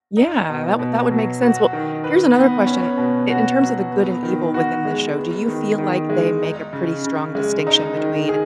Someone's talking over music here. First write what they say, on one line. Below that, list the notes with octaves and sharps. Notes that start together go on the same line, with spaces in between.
Yeah, that wou that would make sense. Well, here's another question, i in terms of the good and evil within this show, do you feel like they make a pretty strong distinction between
D#4
B2
B2
F#3
F#4
D#3
B4
B3
C#4
B2
F#4
F#3
B3
D#3
F#4
G#3
B3
D#3
D#3
G#3
D#4
C#3
C#3
G#3
D#4
D#3
G#4